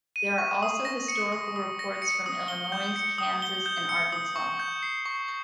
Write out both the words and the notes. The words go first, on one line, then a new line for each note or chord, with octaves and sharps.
There are also historical reports from Illinois, Kansas, and Arkansas.
D#7
C#6
D#6
A#6
C#7
D#6
D#6
A#6
C#7
D#6
G7
G6
C#7
D#6
G7
G6
C#7
D#6
C#6
G6
C7
C#6
C#6